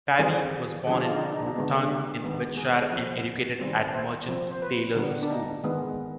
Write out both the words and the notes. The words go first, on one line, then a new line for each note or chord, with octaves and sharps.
Pavy was born in Wroughton in Wiltshire and educated at Merchant Taylors' School.
D#3 G3 C4 G#4
D3 F3 C4 G#4
G4
F4
D#4
D4
D#4
D4
D#4
D3 G#3 B3
G4
D#3 G#3 B3
G#4
F3 C4
D#3 G3 C4
C5
F3 C4
C5
B4
D3 G3 B3
D4
D#4
D#3 G#3 B3